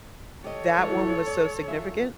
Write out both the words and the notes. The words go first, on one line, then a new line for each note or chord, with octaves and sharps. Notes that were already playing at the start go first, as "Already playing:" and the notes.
that one was so significant,
G4 A4 C#5 D#5
E3 F3 G#3
D5
F#2 F4 E5